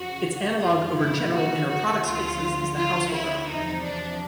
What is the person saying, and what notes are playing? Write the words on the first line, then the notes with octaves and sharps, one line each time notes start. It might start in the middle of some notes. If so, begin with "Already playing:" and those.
Its analogue over general inner product spaces is the Householder operator.
Already playing: F2 C#3 F3 F#4
F#2 C#3 F3 F4
E4
F#4
F#4
D2 D3 F3 F4
F4
E4
E2 C3 F3 D#4
D4